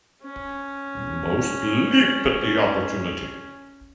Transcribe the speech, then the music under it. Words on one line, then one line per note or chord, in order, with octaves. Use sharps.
Most leap at the opportunity.
C#4